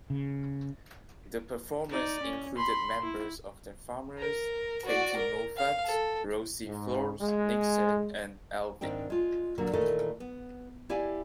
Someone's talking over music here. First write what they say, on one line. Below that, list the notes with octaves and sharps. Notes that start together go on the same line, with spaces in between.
The performers included members of the Farmers, Katy Moffatt, Rosie Flores, Nixon, and Alvin.
C#3
D#4 D5
C#4
B5 C6
E4
A#4
F#4 D5
A#4
F5
A4
G#2
G#3
G#2 D#3 C4 D4 G5
G#3 F4
A#2 D3 F#3 A#3
A#2 D#3 E3 A3 A4 D#5
B3
E4 G4 D5 F5 G#5